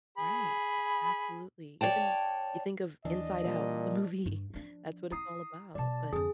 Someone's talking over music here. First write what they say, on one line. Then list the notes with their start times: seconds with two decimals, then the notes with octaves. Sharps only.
Right. Absolutely. Even you think of Inside Out, the movie, that's what it's all about. But
0.18 G#4 B5
1.81 C#5 D5 G5 A5
3.05 D#2 E3 D4 D#5
3.44 A#2 E3 G3
4.26 G2
4.54 F3 D4
5.12 E4 A#5 D#6 C7
5.75 B2 F#3 D5 A5
6.13 F2 D3 G#4